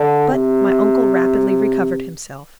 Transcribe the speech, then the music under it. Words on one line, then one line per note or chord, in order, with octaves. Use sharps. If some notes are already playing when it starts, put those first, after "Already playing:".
But my uncle rapidly recovered himself.
Already playing: D3
C3